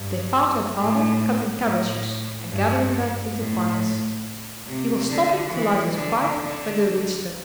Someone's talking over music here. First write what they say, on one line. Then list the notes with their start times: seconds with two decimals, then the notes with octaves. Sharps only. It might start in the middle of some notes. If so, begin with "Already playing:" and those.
They found their father cutting cabbages and gathering them into piles. He was stopping to light his pipe, when they reached him.
Already playing: G2
0.80 A2
1.65 A2
2.51 G2
3.38 A2
4.67 C3
5.10 D3
5.52 E3
5.95 D3
6.39 D3